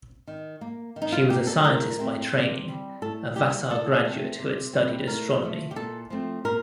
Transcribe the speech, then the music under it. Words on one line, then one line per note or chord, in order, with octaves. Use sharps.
She was a scientist by training, a Vassar graduate who had studied astronomy.
D#3
A#3
D#3
D#4
F4
A#3 G4
A4
A2 A#4
A3 C4
C3
G3 C4
A2 A4
G3 A#3 G4
A2 A4
A3 C4
C3
G3 C4
A2 A#4
F3 A3
G4
A#2 A4
F3 A3 C4
A#2 A#4